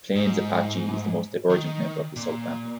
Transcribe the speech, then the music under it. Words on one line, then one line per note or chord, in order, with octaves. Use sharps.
Plains Apache is the most divergent member of the subfamily.
G#2
D#3
A#2